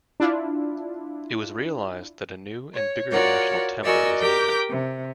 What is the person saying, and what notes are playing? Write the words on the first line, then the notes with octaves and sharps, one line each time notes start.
It was realised that a new and bigger national temple was needed.
D4 E4 F4
C#5
F4 F#4 A#4 C#5 D5 F#5
F#4 A#4 D5 D#5 G#5 E6
G4 A#4 G5 D6 G6
C3